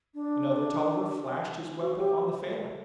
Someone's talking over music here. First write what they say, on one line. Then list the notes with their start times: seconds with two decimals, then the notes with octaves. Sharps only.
Another Tolliver flashed his weapon on the Falin.
0.14 D4
1.80 F#4
1.97 G4